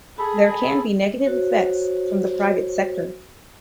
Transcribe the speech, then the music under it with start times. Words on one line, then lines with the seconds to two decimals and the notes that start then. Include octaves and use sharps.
There can be negative effects from the private sector.
0.19 G#4 A4 B5
1.25 F#4 C5 C#5